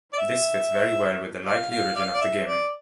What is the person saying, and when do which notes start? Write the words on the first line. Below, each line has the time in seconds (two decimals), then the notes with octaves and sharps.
This fits very well with the likely origin of the game.
0.13 D5
0.18 E5
1.44 D5 F5
1.70 F5
1.95 D5 F5
2.14 D5
2.21 E5
2.46 D5